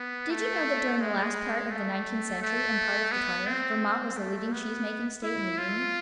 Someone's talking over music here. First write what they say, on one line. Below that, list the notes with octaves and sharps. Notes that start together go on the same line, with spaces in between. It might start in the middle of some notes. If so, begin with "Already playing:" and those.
Did you know that during the last part of the nineteenth century and part of the twentieth, Vermont was the leading cheesemaking state in the Union?
Already playing: B3
A3
G#3
A3
A3
B3
C4
A3
B3
E4
F4